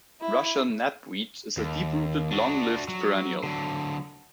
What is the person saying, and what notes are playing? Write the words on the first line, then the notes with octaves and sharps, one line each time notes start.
Russian knapweed is a deep-rooted long-lived perennial.
E4
D#2
D4 F#4
F#3
D3 F#3